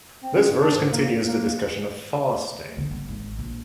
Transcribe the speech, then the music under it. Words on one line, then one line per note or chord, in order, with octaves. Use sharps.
This verse continues the discussion of fasting.
C4
C#4
G2
D4
G#2
A#3
A2
A#3
D3 B3
G3 B3
G#1
A#1